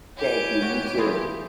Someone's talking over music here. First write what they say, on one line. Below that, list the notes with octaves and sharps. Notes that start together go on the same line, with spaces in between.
Thank you, you too.
E4 G4 C#5 G#5 D7
F#4
E3 F4 G#4